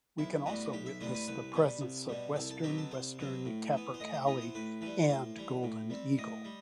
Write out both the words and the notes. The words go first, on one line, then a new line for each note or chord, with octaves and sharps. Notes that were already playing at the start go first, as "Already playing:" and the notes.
We can also witness the presence of western western capercaillie and golden eagle.
B1 E4
A2 G3 B3 F#4
B1 G4
E5
A2 G3 B3 C5
B4
C2 B4
B2 G3
C2
B2 G3
C2 A4
A4
B2 F#3 C4 G4
A4
C2 C5
B2 F#3 C4
A2
E3 B3
C5
A2 D#5
C5
E3 B3 D#5
C5
A2 B4
E3 G3 B4
A2 C5
E3 G3
A2
G3 C4
A2 D#5
G3